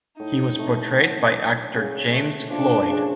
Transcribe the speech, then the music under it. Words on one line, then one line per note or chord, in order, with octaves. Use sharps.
He was portrayed by actor James Floyd.
A2 D#4
A3
F#3
D4
C#3
A3
F3 D4
C#3